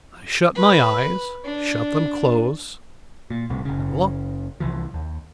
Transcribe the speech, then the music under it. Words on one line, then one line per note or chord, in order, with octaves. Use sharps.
I shut my eyes--shut them close--and lo!
B4
D4
A#2
C2 A2 C3
F#1 C#3
C2 C3 E3 F3
D#2